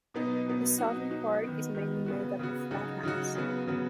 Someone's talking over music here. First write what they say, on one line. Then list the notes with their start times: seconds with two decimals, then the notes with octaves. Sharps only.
The southern part is mainly made up of flatlands.
0.14 B2 F#3 B3 D#4
0.46 B2 F#3 B3 D#4
0.78 B2 F#3 D#4 F#4
1.10 B2 F#3 D#4 F#4
1.42 D#3 B3 F#4
1.75 D#3 B3 F#4
2.06 C#3 B3 F#4
2.39 C#3 B3 F#4
2.71 C#3 F#3 D#4 F#4
3.03 C#3 F#3 D#4 F#4
3.35 C#3 F#3 B3 F#4
3.67 C#3 F#3 B3 F#4